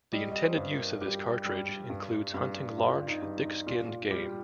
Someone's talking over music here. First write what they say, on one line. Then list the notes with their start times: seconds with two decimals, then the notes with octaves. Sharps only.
The intended use of this cartridge includes hunting large, thick-skinned game.
0.13 G3 D#5
0.32 D#5
0.42 C5
0.57 G2
0.72 A#4
1.01 G3 G4
1.45 G3
1.90 G2
2.34 G2
2.78 G2 F4
3.08 D#4
3.22 G2
3.37 D#4
3.67 A#2 F4
4.11 G3 G4